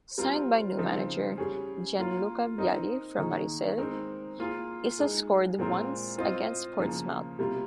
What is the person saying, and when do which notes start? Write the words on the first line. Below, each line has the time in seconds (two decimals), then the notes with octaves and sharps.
Signed by new manager Gianluca Vialli from Marseille, Issa scored once, against Portsmouth.
0.18 G3 C4 F4 A#4
0.78 C#3 F3 C4 D#4
1.38 G3 C#4 G#4
1.98 A#3 F4 A#4
2.58 C4 D#4 A#4 D#5
3.18 D#3 A#3 D#4 G#4
3.78 G#3 C4 D#4 A#4
4.39 A#3 F4 G#4
4.99 G#3 D#4 G#4
5.58 A#2 G#3 C4 F4 A#4
6.18 C4 F4 C5 D#5
6.79 C#3 F3 A#3
7.39 C3 G3 A#3 F4